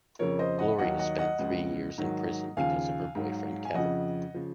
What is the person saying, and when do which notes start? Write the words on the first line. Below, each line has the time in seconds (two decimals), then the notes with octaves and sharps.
Gloria spent three years in prison because of her boyfriend, Kevin.
0.19 F2 C#3 F3 A#4 C#5
0.39 C5 D#5
0.59 D#5 F#5
0.78 D#2 D#3 F#3 D#5 F#5
0.99 D#5 F#5
1.18 D#5 F#5
1.39 C#2 C#3 F3
1.98 G#2 D#3 F#3
2.57 D#2 C#3 F3 F5 G#5
3.15 G#2 F#3
3.65 G#5
3.75 F2 C#3 F3 D#5 F#5
4.34 C#3 F3